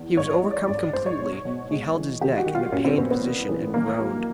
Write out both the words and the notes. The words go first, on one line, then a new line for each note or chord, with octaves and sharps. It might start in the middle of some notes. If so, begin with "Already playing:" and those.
He was overcome completely; he held his neck in a pained position and groaned.
Already playing: E2
G#2 C#5
C#5
G#3
D5
G#2 D5
G#2 C5
C#5
B2
B2
G#3
E3
D#3 G4
F#4
D#3
F4
A#2 C#4
C4
A#2 B3
B3
E2
E3
D#3 A#3
F#3